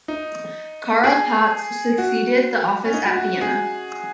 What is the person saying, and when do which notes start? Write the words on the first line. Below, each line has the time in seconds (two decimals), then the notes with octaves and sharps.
Carl Patsch succeeded the office at Vienna.
0.08 D#4
1.04 G#4
1.98 F#4
2.85 C#4
2.94 D#4
3.06 F#4
3.17 F#4
3.41 G#4